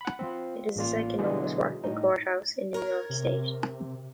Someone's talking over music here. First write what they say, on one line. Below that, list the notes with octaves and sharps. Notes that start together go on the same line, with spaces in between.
It is the second oldest working courthouse in New York State.
F#5 B5
C4 F4
A1 A#2 F4
B2 D3 E3 F#3 G#3 G#4
A2 D#4
A#4 C#5
C3